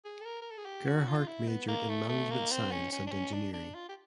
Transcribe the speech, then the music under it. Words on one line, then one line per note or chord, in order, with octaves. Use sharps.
Gerhart majored in Management Science and Engineering.
G#4
A4
A#4
A#4
A4
G#4
G4
F#4
F4
E4
B3
A#3
A3
A3
A#3
C4
C#4
C#4
D4
C#4
D4
D4
F4
G4